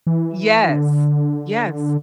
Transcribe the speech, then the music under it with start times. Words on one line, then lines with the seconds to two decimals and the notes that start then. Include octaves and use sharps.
Yes. Yes.
0.07 E3
0.69 D3